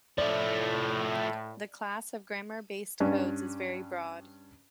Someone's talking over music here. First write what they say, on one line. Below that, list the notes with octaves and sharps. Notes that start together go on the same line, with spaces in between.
The class of grammar-based codes is very broad.
A2 F3 A3 D5
G2 C#4 D4